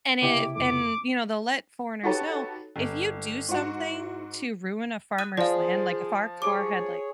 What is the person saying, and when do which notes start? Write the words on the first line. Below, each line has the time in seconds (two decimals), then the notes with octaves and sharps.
and if and, you know, they'll let foreigners know, "If you do something to ruin a farmer's land" like, if our car had, like,
0.22 C#2 C3 B3 E4 G4 D#5 D6
0.56 F2 A3 D6
2.03 D#4 F#4 G4 A4 B4 C#5
2.76 G1
3.49 G#2 F#4
5.18 D#6 F#6 D#7
5.37 F3 G#4 C5 D5 F5
6.42 G4 G#4 C#5 D6